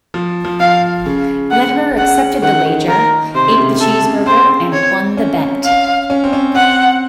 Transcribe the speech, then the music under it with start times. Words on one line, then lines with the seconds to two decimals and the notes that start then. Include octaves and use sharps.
Lederer accepted the wager, ate the cheeseburger, and won the bet.
0.14 F3
0.45 F3
0.60 F3 F5
1.06 C#3
1.51 F#5
1.96 C#3 F#5
2.42 D#3 F#5
2.66 D#3
2.88 D#3 A#4
3.34 C3 C5
3.47 C#3
3.58 C3
3.81 C3 A4
4.03 C#3
4.26 C4 C5
4.72 C#5
5.17 C#4
5.64 F5
6.10 C#4
6.24 C4
6.33 C#4
6.55 C4 F#5